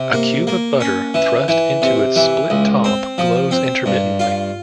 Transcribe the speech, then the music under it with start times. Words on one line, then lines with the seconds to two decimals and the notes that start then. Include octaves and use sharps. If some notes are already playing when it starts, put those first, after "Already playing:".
A cube of butter thrust into its split top glows intermittently.
Already playing: C3
0.13 A#3
0.47 A#3
0.81 C#4
1.14 E3
1.48 E3
1.82 C3
2.16 E3
2.50 C#2
2.84 C4
3.18 F3
3.51 C4
3.86 G2
4.20 F4